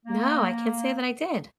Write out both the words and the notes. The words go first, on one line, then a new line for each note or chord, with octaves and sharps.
No, I can't say that I did.
A#3